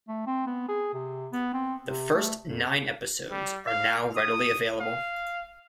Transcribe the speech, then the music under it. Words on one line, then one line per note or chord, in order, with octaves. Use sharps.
The first nine episodes are now readily available.
A3
C4
B3
G#4
C3
B3
C4
C3
A3
F2
G3
F5
D#6
F5